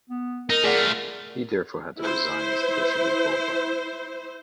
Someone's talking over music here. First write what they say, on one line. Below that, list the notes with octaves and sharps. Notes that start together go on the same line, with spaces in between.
He therefore had to resign as bishop of Bova.
B3
D#4 A#4
A3 F4 G#4 D5 F#5
E4 C5